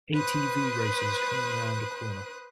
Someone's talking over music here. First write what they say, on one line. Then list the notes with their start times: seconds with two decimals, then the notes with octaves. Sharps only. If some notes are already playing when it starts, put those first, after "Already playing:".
ATV racers coming around a corner.
0.14 B4 C5 D#6 F#6